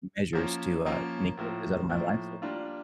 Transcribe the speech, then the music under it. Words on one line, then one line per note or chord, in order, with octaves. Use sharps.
measures to, uh, negate those out of my life so I
F3 A#3 C#4
F3 A#3 C#4
A2 F3 A#3
A2 F3 A#3
G3 A#3 D4 F4